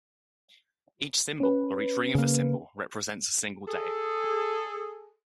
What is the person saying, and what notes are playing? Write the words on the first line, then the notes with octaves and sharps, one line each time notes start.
Each symbol, or each ring of a symbol, represents a single day.
C#4 B4
C#3 A#3
G#4 A4